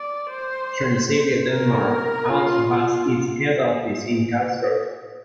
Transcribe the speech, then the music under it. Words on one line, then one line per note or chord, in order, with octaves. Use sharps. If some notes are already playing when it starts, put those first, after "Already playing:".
Transavia Denmark also has its head office in Kastrup.
Already playing: D5
C5
A#4
F4
F4